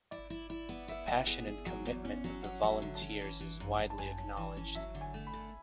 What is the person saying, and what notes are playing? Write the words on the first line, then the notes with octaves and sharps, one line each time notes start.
The passion and commitment of the volunteers is widely acknowledged.
E4 D5
E4
E4
B3
E4 E5
B3
G#4
G#4
F#3 F#5
E2
C#4
F#3
C#4 F#5
F#3
E5
D3
A5
C#4
E3
E3
F#2
F#2
A5
F#2 G#5
C#4
E3
C#4
F#3 E5
D3
G#5
A3
B5
D3